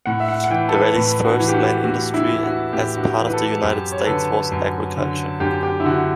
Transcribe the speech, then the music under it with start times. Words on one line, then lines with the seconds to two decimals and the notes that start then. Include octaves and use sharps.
The valley's first main industry as a part of the United States was agriculture.
0.06 A2 F#5
0.20 E5
0.28 F#5
0.44 F#5
0.50 E3 G5
0.69 A4
0.72 B4
0.96 A2
1.25 F#4
1.39 E3
1.48 G4
1.54 F#4
1.84 A2 F#4
2.14 E4
2.29 E3
2.43 F#4
2.73 A2 G4
2.96 F#4
3.03 G4
3.18 E3
3.27 B4
3.33 A4
3.63 F#2 G4
3.92 C#5
4.00 B4
4.07 D3 A4
4.52 F#2
4.96 D3
5.40 F#2 G4
5.63 G4
5.80 E4
5.85 D3 F#4